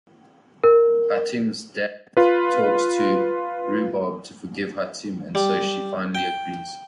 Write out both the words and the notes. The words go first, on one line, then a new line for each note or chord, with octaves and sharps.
Hatim’s dad talks to Rubab to forgive Hatim and so she finally agrees.
A#4
F4 B4
G3
G5